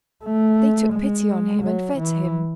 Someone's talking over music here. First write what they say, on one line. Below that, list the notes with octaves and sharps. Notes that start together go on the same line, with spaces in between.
They took pity on him and fed him.
A3
G#3
F#3
E3